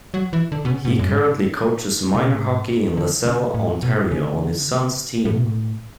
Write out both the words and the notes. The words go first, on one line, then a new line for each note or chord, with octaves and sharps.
He currently coaches Minor Hockey in Lasalle, Ontario on his sons team.
F#3
E3
D3
B2
C#3
B2
A2
F#2
G#2
C#3
B2
A2
G#2
D3
C#3
A2
B2
C#3
D3
C#3
D3
C#3
D3
C#3
A2
B2
A2